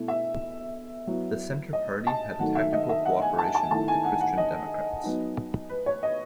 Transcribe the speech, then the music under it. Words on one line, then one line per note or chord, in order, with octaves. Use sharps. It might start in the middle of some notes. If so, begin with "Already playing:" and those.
The Centre Party had a technical cooperation with the Christian Democrats.
Already playing: B2 A3 E4
E5
F#3 B3 E4
D#5
A5
D#3 F#3 A3 D#4 F#5
E5
D#5
E5
F#5
G#5
A5
A5
D#3 A3 E4 A5
G#5
F#5
F#5
D#5
F#3 B3 D#4
B4
C#5
D#5